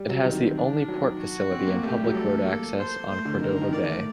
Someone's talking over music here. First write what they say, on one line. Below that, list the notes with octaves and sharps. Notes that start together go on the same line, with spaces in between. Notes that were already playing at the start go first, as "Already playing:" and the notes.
It has the only port facility and public road access on Cordova Bay.
Already playing: G3
F#3
D#3 C4
D4
F#3
F#4
C4
A#3
A3 G4
G3
F#3
A3 A4
A#3
C5
A3 C5
D3
D#3 A#4
D3
D#3
D5
A3